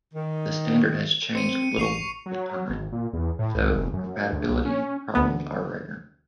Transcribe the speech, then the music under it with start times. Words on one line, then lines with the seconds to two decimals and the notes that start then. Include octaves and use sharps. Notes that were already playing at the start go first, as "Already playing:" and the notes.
The standard has changed little with time, so compatibility problems are rare.
0.13 D#3
1.35 C4 C#7 D#7
1.77 A1 C#6 C7 F7
2.26 F#3
2.70 G#1
2.92 A#2
3.13 E2
3.39 A2
3.55 C2
3.74 F1
3.93 F#2
4.32 D2
4.48 C2
4.65 C#4
5.15 D2 B3